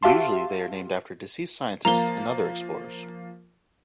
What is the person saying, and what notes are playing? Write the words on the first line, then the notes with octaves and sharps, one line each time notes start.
Usually they are named after deceased scientists and other explorers.
F#4 G4 E5 F5 A5 C6
F3 A#3 A#5 G7